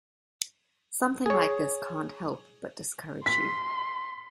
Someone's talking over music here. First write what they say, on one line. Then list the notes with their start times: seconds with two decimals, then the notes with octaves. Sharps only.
Something like this can't help but discourage you.
1.26 G#4 C#5
3.26 C6 B6